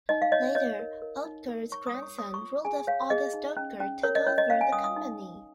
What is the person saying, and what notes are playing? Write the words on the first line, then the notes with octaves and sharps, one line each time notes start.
Later, Oetker's grandson Rudolf August Oetker took over the company.
D#4 D#5
F5
C#5 D#5
C#5 D#5
A#4
A#4
D#4
A#4
C#5 C#6
D#6
C#5
C#6
C#5 D#6
C#6
F4
G#4 G#5
C#5 F5
G#4 D#5
D#4
C#4
C#4
A#4 C#5
D#5
C#4 C#5
D#5
C#4 F5
G#5
C#4 D#6
D#6
D#4
D#4